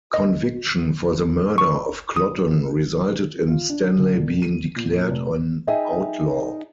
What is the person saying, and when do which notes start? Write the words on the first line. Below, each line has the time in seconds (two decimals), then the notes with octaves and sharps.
Conviction for the murder of Clotton resulted in Stanley being declared an outlaw.
0.14 D#5
1.58 C#6
2.16 D#6
3.48 F4
3.69 D4
3.98 D3
4.15 E1
4.42 D#7
4.76 A#2
5.08 F1
5.67 D#4 G#4 D#5 E5 G5